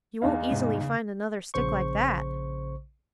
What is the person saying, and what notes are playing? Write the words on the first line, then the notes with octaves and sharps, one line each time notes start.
You won't easily find another stick like that!'
E2 D#4 F5
G#2 C3 G#3
C#3
A#1 C#3 C5 C#6